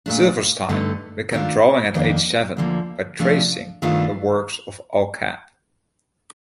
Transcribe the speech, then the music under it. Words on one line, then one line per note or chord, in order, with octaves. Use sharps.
Silverstein began drawing at age seven by tracing the works of Al Capp.
A#2 A3 D4
G2 D3 A3 D#4
D#3 A3 D4 F4
F2 D#3 A#3 D4
D2 D3 F3 A#3
C3 F3 A3 D4
G2 D#3 A3 D4 F4